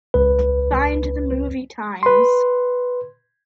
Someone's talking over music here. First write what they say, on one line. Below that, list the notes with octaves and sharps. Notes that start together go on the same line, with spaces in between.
Find the movie times.
C#2 B4
B4 C6